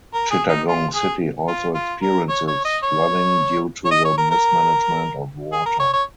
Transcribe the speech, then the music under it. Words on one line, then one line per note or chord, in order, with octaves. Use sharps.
Chittagong city also experiences flooding due to the mismanagement of water.
A#4
G#4
D#4
F4
G#4
F4
F4
A#4
C#5
C#5
D#5
C#5
C#5
D#5
C#5
A#4
A#4
G#4
A#4
C#5
C#5